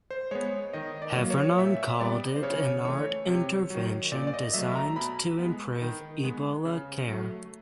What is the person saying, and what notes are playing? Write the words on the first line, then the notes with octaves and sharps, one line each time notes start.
Heffernan called it "an art intervention designed to improve Ebola care".
C5
G#3 B3 C#5
D#3 D#5
D5
F#3 A#3
C#5
A#2 E5
G3 B3 D5
C5
C#3 C#5
E3 A3 C#5
C3
D#3 F#3
A#2 D5
D5
D#5
F#3 A3 E5
A#5
B2 B5
G#3 B3
D#3
G#3 B3
C#3
F#3 A3